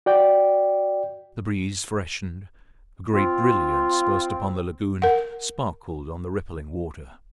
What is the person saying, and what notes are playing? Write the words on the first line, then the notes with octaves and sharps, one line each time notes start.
The breeze freshened; a great brilliance burst upon the lagoon, sparkled on the rippling water.
F#4 D5 G5
C4 F4
A#4 F#5